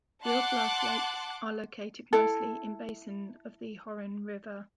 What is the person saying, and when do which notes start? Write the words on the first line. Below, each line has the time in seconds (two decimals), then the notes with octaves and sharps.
The oblast's lakes are located mostly in basin of the Horyn River.
0.23 F#5 A5 C6 D6 F#6
2.13 E4 A4